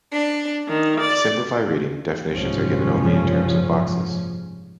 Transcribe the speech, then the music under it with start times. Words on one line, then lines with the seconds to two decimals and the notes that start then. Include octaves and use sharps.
To simplify reading, definitions are given only in terms of boxes.
0.13 D4
0.68 D#3
1.00 D5
2.30 F#1 C2 G#2 F3 C#4